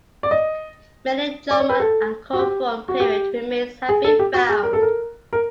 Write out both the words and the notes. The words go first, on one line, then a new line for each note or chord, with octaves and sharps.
Many Jomon and Kofun period remains have been found.
D5
D#5
D5
C#5
B4
A4
F#4
G4
F#4
G4
G#4
A4
G4
F#4
G#4
A#4
A4
A#4
A#4